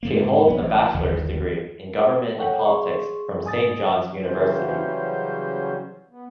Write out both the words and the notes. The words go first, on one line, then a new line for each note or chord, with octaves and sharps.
She holds a bachelor's degree in Government and Politics from Saint John's University.
G#2 D3 A#3
G#1 F#3 B3
A1 A2
G1 D#2 D#3 E3
A4 C#5 F#5 G5
G#4 C6 C#6
G#2 G#5 D#6 A6
C#3 E3 F#3 G3 C#4 C5
B3